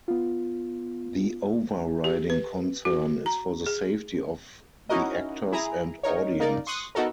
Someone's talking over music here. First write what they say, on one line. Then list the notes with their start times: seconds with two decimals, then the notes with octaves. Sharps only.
The over-riding concern is for the safety of the actors and audience.
0.08 B3 F4
2.04 G4
2.30 B4
2.85 F#4
3.26 A#5
3.66 G#4
4.90 C#4 D#4 E4 F#4 A#4 D#5
5.52 E4 G#4 A#5
6.03 D#4 A#4 C#5
6.40 A#3 D#4 A#4 D5
6.67 C6 C#6 D#6 F#6
6.95 B3 D#4 F#4 A4 A#4